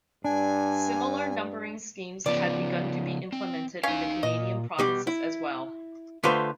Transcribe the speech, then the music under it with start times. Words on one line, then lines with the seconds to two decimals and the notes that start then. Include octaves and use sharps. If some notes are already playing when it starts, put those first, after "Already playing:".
Similar numbering schemes had begun to be implemented in the Canadian provinces as well.
0.25 G2 D4 G#5
2.26 C#3 F3 B3 D5
3.32 C4
3.83 C#4 D#4 F5
4.23 A#2 D#5
4.79 B2 G3 G4
5.07 E4
6.24 D3 A3 F4 B4 C5